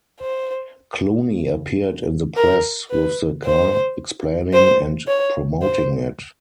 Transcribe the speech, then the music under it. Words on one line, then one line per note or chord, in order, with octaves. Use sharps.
Clooney appeared in the press with the car, explaining and promoting it.
C5
A#4
B4
C5
C5
C#5
C5